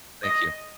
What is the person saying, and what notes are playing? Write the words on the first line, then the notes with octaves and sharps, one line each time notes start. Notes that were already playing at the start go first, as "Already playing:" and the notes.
Thank you.
D#5